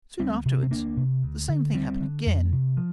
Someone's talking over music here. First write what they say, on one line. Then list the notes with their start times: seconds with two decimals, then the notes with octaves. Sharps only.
Soon afterwards the same thing happened again.
0.19 D2 G3 C4
0.45 C3
0.63 C4
0.71 D2 A#3 D4
0.97 C3
1.23 D2
1.49 D3
1.74 D2 G3 C4
2.01 D3
2.26 F2
2.52 C3
2.77 F3